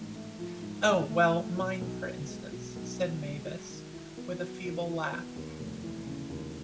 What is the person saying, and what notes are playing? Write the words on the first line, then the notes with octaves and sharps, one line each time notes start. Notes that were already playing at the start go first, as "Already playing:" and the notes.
"Oh, well, mine for instance," said Mavis, with a feeble laugh.
Already playing: A1 G#2
A3
F3
G#2
A1
A3
F3
B2
B1
B3
G#3
B2
B1
B3
G#3
F#3
D#3
E4
B3
F#3
D#3
E4
B3
D#2
F1
E3
C#3
D#2